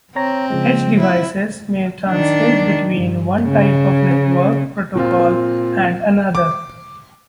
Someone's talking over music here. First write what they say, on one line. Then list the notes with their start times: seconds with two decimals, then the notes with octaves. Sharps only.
Edge devices may translate between one type of network protocol and another.
0.16 C4 C#5 A#5 A#6
0.50 C#3 F3 G#3
1.00 E4
2.10 D#3 D4
2.96 G2
3.42 C#3
4.95 A#2 C4 F4
6.35 D6